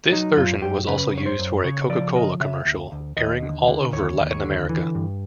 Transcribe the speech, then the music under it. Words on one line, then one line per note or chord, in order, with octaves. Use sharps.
This version was also used for a Coca-Cola commercial, airing all over Latin America.
F#3 D#4
F#2 F4
F#2 G4
C#3 B4
F#2 C#5
C5
F#2
C#3 C#5
F3 D5
C#3 D#5
C#3 E5
D2
D2
D#2 D#5
D3
D3
D#2 C#5
D#2
C#5
D3
E3
G2